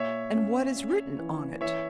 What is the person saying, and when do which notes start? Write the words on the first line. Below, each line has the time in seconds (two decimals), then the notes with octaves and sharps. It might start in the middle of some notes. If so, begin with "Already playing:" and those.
"And what is written on it?"
Already playing: A#2 C#5 E5
0.34 C#4
0.76 C#4
1.19 E3
1.61 E3 C#5 E5